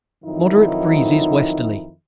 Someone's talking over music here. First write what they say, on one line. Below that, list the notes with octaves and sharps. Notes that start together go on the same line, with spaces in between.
Moderate breezes westerly.
F2 D#3 F#3 D#4 E4